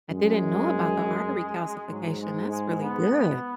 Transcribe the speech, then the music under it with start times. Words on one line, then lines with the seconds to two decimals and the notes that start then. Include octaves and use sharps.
I didn't know about the artery calcification, that's really good.
0.10 F#2 G#3
1.91 G#2 F#3
2.21 G#3
2.51 G#3
2.82 B3